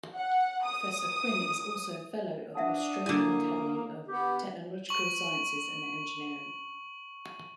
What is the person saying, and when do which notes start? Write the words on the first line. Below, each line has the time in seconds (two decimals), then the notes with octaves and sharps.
Professor Quinn is also a Fellow of Australian Academy of Technological Sciences and Engineering.
0.16 F#5
0.64 D#6
2.55 D4 E5 F#5 A5 D#6
3.06 D3 A#3 E4 G#5
4.08 B3 G4
4.89 C#6 F#7